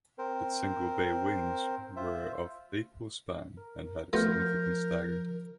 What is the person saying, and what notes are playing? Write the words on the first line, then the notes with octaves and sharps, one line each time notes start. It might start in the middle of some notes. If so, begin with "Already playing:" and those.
Its single bay wings were of equal-span and had significant stagger.
C4 A#4 C5
F4 C5 E5
A#4
F3 A3 B3 F4 A#4 F6 G6 A#6